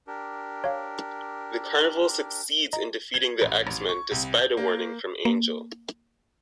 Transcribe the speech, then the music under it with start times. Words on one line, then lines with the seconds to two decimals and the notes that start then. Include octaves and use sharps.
The carnival succeeds in defeating the X-Men despite a warning from Angel.
0.07 D4 G4 A#4
0.64 C#5 F5
2.73 D#5 A#5
3.14 G#6
3.42 A1
3.67 A1
3.89 C#6
4.11 C2
4.38 G6
4.57 A#3
5.25 A#3